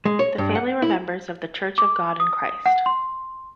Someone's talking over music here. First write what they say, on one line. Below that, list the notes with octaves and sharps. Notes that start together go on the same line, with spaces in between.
The family were members of the Church of God in Christ.
G#3
C#5
G2
F#5
E4
D6
D#6
F#5
C6